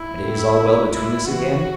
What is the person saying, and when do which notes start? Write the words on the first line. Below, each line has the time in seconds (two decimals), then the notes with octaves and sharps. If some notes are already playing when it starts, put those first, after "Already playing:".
"But it is all well between us again?"
Already playing: E4
0.20 A2
0.56 B2
0.91 E4
1.27 E3 F#4